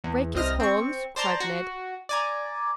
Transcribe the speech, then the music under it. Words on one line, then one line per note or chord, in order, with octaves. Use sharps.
"Break his horns!" cried Ned.
E2
C2 C4 D#5 F6 A#6
C4 C#6
C5 D5 A5 A#5 C6
F#4
D5 G#5 A#5